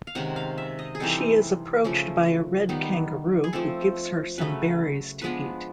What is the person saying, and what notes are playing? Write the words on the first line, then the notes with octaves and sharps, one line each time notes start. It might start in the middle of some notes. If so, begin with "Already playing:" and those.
She is approached by a red kangaroo who gives her some berries to eat.
F5
C3 D#3 G#3 C#4 F#5
F5
E5
D#5
G#4
E3 G3 C4 D#4 A4
C#3 F3 A3
D#3 G3 B3 D#4
G#4
F3 A3 C4 A4
C#3 F#3 A3 B4
F3 G#3 B3 D4 B4